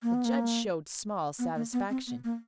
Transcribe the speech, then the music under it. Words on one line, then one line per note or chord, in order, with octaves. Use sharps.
The judge showed small satisfaction.
A#3
B3
A#3
B3
A#3
B3
C4
B3
A#3